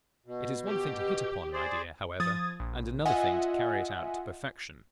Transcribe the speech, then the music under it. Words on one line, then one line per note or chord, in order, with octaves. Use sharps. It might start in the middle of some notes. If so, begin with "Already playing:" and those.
It is one thing to hit upon an idea, however, and another thing to carry it out to perfection.
B2
G4
G#4 C5 D5
F3 D#6 G#6 A6
A#1
F4 D#5 E5 F#5 G#5